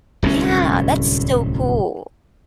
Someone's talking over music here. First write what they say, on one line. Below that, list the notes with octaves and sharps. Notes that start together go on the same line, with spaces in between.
Yeah, that's so cool.
D1 C2 A2 C#4